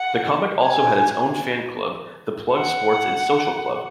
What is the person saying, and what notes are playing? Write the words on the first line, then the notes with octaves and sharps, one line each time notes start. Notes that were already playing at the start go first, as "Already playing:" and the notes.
The comic also had its own fan club, the "Plug Sports and Social Club".
Already playing: F#5
G#5
F#5